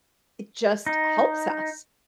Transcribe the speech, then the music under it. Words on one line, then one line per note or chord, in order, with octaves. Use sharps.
it just helps us.
D#4